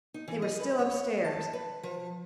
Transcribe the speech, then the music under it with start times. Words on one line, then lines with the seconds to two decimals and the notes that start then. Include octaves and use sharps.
They were still upstairs.
0.14 D#4
0.28 E3
0.42 D#5
0.60 B4
0.79 C#5
1.25 A5
1.53 B4
1.83 F3